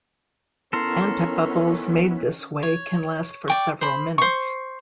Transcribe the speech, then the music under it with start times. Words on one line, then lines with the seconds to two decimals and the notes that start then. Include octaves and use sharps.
Antibubbles made this way can last for several minutes.
0.73 D#3 B3 C#4 E4 A4 A#4 C6 C7
2.63 C#5
3.48 D5 G5 C#6
3.81 C5 B5
4.18 C5 C#6